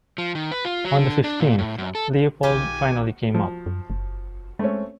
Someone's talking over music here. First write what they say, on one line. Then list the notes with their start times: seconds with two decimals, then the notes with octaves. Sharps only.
On the fifteenth, Leopold finally came up.
0.18 F3
0.35 D#3
0.52 B4
0.65 F4
0.85 F#3
0.98 D3
1.24 D4
1.40 A#2
1.58 A2
1.78 F#2
1.95 A4
2.43 B1 D#3 F4 G4 G#5
3.35 F3
3.66 F#2
3.90 F#1
4.59 G#3 A3 C4 C#4